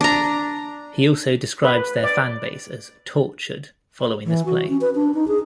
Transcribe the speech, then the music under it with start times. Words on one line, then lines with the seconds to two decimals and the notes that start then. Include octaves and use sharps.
He also describes their fan base as "tortured" following this play.
0.01 D4 A#5
1.64 B4
2.03 D5
4.26 E3
4.46 F#4
4.69 C#4
4.81 B4
4.95 D4
5.14 D#4
5.28 G#4